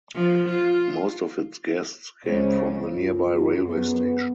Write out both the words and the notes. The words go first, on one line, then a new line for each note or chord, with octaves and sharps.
Most of its guests came from the nearby railway station.
F3
F4
C#2 C#3 C5
F#2 F4
B3 G#4